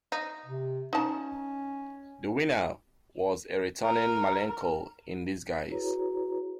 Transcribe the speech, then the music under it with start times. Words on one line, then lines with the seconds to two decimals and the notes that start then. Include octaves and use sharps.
The winner was a returning Malenko in disguise.
0.12 D#4
0.46 C3
0.93 C#4 D#4 A5
3.83 A#4
5.70 E4 F#4 G#4 B4 C#5 A#5